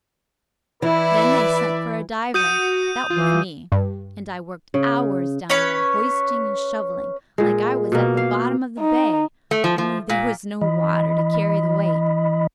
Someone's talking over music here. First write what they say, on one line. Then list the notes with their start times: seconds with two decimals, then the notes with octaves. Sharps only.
Then they sent for a diver--that was me--and I worked hours down there hoisting and shoveling, like I was at the bottom of the bay, only there was no water to carry the weight.
0.82 E3 E4 B4 D5 E5
2.34 F#4 D#6 G6 D#7
3.10 E3 F4
3.72 G2
4.74 C#3
5.50 C#4 B4 C#5
7.38 A#2 G#3
7.92 B2 A#3
8.17 F5
8.80 D#4
9.51 A3
9.64 F3
9.78 F3
10.09 A#2
10.61 E3 D#5 B5